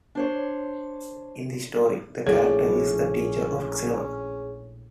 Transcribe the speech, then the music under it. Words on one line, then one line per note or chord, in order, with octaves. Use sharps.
In the story, the character is a teacher of cinema.
D4 C5 C#5
A#1 A2 F3 C#4 G#4 C#5